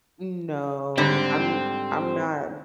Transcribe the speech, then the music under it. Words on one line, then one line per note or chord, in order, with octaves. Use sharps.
No, I'm I'm not
G#2 D3 G3 C4